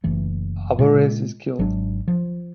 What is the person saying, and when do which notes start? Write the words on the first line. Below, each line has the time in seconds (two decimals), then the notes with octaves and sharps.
Alvarez is killed.
0.04 F#1 E3 A3
0.79 A#2 C#3 G#3
1.59 G#1 F#3 G#3 D4
2.08 F3